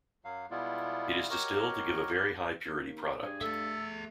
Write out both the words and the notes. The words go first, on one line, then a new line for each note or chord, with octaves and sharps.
It is distilled to give a very high-purity product.
F#2 F#3 F5
B2 G3 G#3 B3 E4 F4
F#4 G4 A#4 C#5 D#5
G4 B4
D#2
G2 G#4
A3 G#4 A4 E5